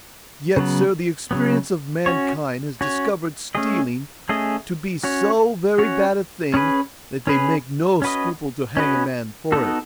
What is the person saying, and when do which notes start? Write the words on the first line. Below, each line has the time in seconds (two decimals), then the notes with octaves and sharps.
Yet, Sir, the experience of mankind has discovered stealing to be so very bad a thing, that they make no scruple to hang a man for it.
0.57 C#3 F#3 B3
1.31 C#3 F#3 B3
2.06 C#4 F#4 C#5
2.81 C#4 F#4 C#5
3.55 A3 C#4 G#4 D#5
4.29 A3 C#4 G#4 D#5
5.04 C#4 F#4 C#5
5.78 C#4 F#4 C#5
6.54 C#4 G#4 B4
7.27 C#4 G#4 B4
8.02 C#4 F#4 B4 D#5
8.77 C#4 F#4 B4 D#5
9.52 B3 D#4 F#4 A4